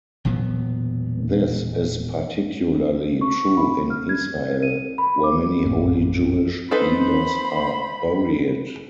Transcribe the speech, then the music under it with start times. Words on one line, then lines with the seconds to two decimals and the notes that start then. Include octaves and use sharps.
This is particularly true in Israel were many holy Jewish leaders are buried.
0.25 E1 A#2 F#3 B3
3.21 C#6
3.57 B5
3.90 F6
4.09 G#6
4.63 D#7
4.98 B5
5.24 D6
5.65 A#1 F#2 A2 C4
6.71 D#4 A4 B4 C5 B5